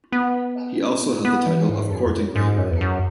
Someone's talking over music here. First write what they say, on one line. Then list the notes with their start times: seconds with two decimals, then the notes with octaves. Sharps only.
He also held the title of Court Engraver.
0.12 B3
0.80 C#4
1.01 B3
1.25 B3
1.46 E3
1.69 G#2
1.91 F#2
2.04 E2
2.14 F#2
2.35 G#2
2.58 F#2
2.70 E2
2.81 F#2